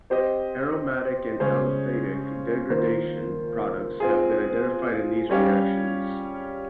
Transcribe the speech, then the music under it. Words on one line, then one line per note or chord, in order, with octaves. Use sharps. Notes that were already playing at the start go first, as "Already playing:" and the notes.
Aromatic and aliphatic degradation products have been identified in these reactions.
C4 G4 C5 D#5
C#3 G#3 C#4 G#4 C5
D#3 A#3 F4 C5
C4 F4 G#4
G3 C#4 G4 C#5 F5